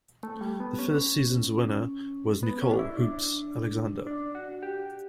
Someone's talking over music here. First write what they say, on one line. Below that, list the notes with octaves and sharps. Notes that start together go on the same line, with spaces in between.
The first season's winner was Nicole "Hoopz" Alexander.
A3
G3
B3
C#4
B3
C#4
D4
E4
D4
D4
F#4
G4